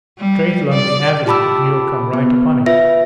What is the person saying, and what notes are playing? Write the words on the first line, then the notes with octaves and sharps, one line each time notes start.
Straight along the avenue and you'll come right upon it.
G3
D5
F4 G4 A5 B5 D6 E6
B3
F4 B4 E5 A#6